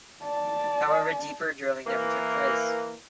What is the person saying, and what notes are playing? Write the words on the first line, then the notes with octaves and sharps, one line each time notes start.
However, deeper drilling never took place.
D5 A5
E3 A#3